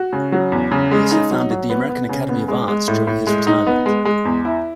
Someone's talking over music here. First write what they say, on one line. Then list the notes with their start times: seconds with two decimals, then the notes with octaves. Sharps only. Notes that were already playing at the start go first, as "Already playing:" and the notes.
He also founded the American Academy of Arts during his retirement.
Already playing: F#4
0.13 C#3
0.32 F#3
0.52 E2
0.72 C#3
0.91 G#3
1.11 D#4
1.31 F#3
1.50 F#3
1.70 B3
1.89 B3
2.09 C#3
2.29 B3
2.48 G#3
2.68 G#3
2.88 A2
3.07 A2
3.27 G#3
3.47 D#4
3.67 B3
3.86 G#3
4.05 G#3
4.25 E2
4.45 E4